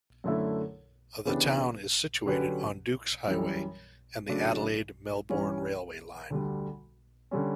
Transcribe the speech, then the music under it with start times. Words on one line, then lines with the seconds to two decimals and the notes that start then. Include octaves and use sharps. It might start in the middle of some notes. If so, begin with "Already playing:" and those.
The town is situated on Dukes Highway and the Adelaide-Melbourne railway line.
0.24 F#2 D3 A3 E4 A4
1.25 C#3 E3 B3 D4 G4
2.26 D3 F#3 C#4 G4 B4
3.27 F#2 E3 G3
4.28 C#3 F#3 A3 D4
5.29 E3 G3 C#4
6.30 D2 D3 G3
7.31 D3 G3 C#4